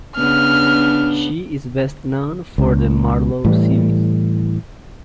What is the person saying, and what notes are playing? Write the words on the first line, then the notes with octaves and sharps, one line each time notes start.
She is best known for the Marlow series.
C#3 B3 D4 F6
C#2
A2 E3 G3